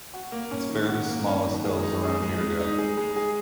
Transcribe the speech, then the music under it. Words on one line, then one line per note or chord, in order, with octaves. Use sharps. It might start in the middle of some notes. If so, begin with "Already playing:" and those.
It's fairly small as hills around here go.
F#4
A#3
C#4
D#3
F#4
A#3
C#4
D#3
G#3
D#4
G#4
G#3
G#3
D#4
G#4
G#3
G#4